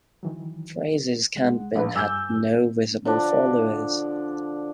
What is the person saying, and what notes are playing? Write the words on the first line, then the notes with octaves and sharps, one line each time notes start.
Fraser's campaign had no visible followers.
D#3 E3 F#3
C2 G#3 F#5
A#1 B4
G2 G#5 D6 E6 G6
D3 F3 D4